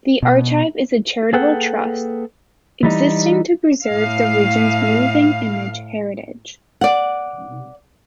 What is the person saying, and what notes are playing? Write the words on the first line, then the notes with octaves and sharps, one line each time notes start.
The archive is a charitable trust, existing to preserve the region's moving image heritage.
B2
A#3 G#4 A4 B4 F#5 G5
E3 G3 D#4
A2 F5
D5 F#5